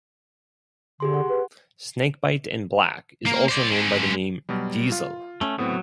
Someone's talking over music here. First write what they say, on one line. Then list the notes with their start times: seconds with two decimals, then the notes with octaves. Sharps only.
Snakebite and black is also known by the name diesel.
1.00 D3 G4 G#4 C6
1.14 F#5
1.29 B4
3.26 A#3
3.49 C5 D5
3.72 G#3 C4
4.49 B2 F#3 G3
4.92 F4
5.41 A3 C#4
5.58 A2 F#3 B3 C4